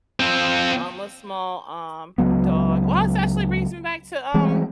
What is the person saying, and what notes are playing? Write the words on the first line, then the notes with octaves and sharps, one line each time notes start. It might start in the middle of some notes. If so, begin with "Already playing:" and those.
um, a small, um, dog Well, this actually brings me back to, um
F3 C4
C#2 F#3 B3
E3 G3 G#3 C4